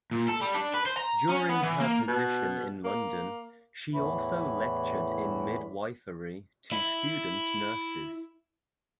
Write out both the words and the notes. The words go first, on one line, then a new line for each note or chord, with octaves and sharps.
During her position in London she also lectured in midwifery to student nurses.
A#2
A4
G3
D4
B4
C5
A#5
C#4
B3
E3
A#3
B2
A#3
E2 A2 E3 A3 B5
E4 E5